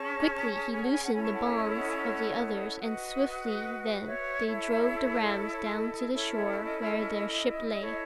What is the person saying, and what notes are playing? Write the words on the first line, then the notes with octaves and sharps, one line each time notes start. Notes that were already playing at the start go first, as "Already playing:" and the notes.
Quickly he loosened the bonds of the others, and swiftly then they drove the rams down to the shore where their ship lay.
Already playing: C#4 G#4 C#5 A5 C#6
G#5 B5
F#5 A5
G#5 B5
F#5 A5
C#4 E4 A4 C#5 G#5 B5
A5 C#6
F#5 A5
E5 G#5
D#5
D#5 F#5
G#5
D#5 F#5
F#4 B4 D#5 F#5
C#5 E5
E4 A4 C#5
D#5
D#5
C#5
D#5
C#4 E4 A4 C#5 E5
C#5 E5
E5
D#5
C#5
D#5
E4 A4 C#5